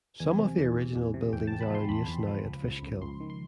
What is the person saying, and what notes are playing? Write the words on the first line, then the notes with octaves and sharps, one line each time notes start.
Some of the original buildings are in use now at Fishkill.
E2 G#5
C3
E2
E2
E2
C3
E2 G5
E2 A5
B5
F3 C6
E2 B5
E2
F3
C#2
C#2
C#2
C#2 C6
D#3
C6